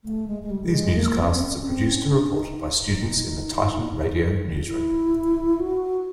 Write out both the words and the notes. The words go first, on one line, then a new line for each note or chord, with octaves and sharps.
These newscasts are produced and reported by students in the Titan Radio newsroom.
A3
G#3
G#3
G3
G3
G#3
A#3
C4
C#4
C4
C#4
C4
C#4
D4
D4
D#4
D#4
E4
F#4